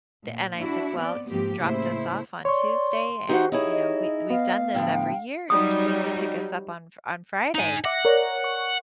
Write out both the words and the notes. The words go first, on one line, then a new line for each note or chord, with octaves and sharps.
Th and I said, "Well, you dropped us off on Tuesday, and, you know, we we've done this every year. You're supposed to pick us up on f on Friday."
A#2
D4 E4 F#4
B3 C4 D5
G#2 F3 A#3 C4 G4
A2 C#3 A#3 E4 C5
C#5 D5 C6 C#6
D#4 F#4 G4 C5 F#5
D#4 E4 G#4 C#5
D#5
B3 F5
A2 D3 F3 G5
F#3 G3 D#4 D#6
D#4 G#5
E5 F#5 D6 A#6
A#4 C#5 D5
C#6